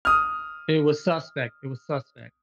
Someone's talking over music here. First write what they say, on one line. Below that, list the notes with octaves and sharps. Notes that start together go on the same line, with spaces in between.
It was suspect, it was suspect.
D#6 F6